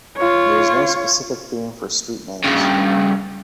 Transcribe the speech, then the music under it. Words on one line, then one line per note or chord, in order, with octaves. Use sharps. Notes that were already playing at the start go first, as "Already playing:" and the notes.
There is no specific theme for street names.
F4 C#5
G2 C#3